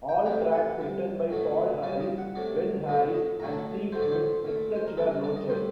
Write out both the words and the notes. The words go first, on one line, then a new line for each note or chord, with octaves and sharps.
All tracks written by Paul Harris, Ben Harris, and Steve Smith, except where noted.
G5
C3 F#3 A3 G5
F#5
C3 G3
A2 F#3 A3
A#2 G3 D5
D#5
F#5
C3 F#3 A3 D5
A2 F#3 A3 D#5
D#5
A2 F#3 A3 A#5
A5
A2 F#3 A3 C5
D5
C5
A#2 A3
C5
A#4
C3 G3 A4
A#4
D5
D#5
A2 G3 C5